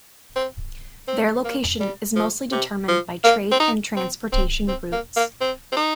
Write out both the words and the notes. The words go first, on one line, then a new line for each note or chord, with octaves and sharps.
Their location is mostly determined by trade and transportation routes.
C4
C4
A#3
G3
F3
C3
F3
A#3
C4
D#4
C4
C4
C4
A#3
A#3
C4
C4
D#4